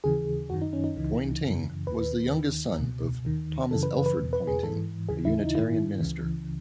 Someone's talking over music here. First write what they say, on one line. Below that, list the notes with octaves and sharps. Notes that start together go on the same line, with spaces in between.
Poynting was the youngest son of Thomas Elford Poynting, a Unitarian minister.
D#2 C#3 E3 G#4
F#2 D#3 F#4
D#4
C#4
D#4
C#2 C#3 E3
F#2 C#3 E3
D#2 D#3 B4
D#2 D#3
C#2 B2
D#2 D#3
F#2 C#3 E3 A4
B4
B4
B4
E2 B2
B4
G#4
G#2 E3 A4
D#2 C#3 E3 G#4
E4
D#4
G#2 D#3 E4
C#2 C#3 E3